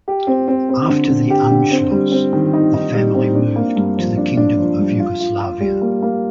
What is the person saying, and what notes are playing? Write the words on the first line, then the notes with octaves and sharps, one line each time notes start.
After the "Anschluss", the family moved to the Kingdom of Yugoslavia.
G4
C4
C4
C4
D3
D3
G4
D3
C4
G3
C4
D#3
D#4
D#4
G3
C4
D4
A#3
G2
F3
D4
D4
F3
G2
F4
F4
F4
G3
A#3
A#3